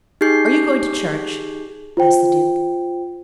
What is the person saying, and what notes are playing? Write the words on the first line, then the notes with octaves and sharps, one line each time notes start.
"Are you going to church?" asked the Duke.
D#4 G4 G#4 G6 C7
F4 C5 G5